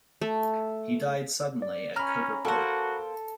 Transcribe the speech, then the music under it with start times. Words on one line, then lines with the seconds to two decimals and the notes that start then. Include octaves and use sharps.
He died suddenly at Coker Court.
0.21 A3
1.62 D5
1.96 C#4 A#5 B5 F6
2.45 A#3 F#4 A4 C5 A5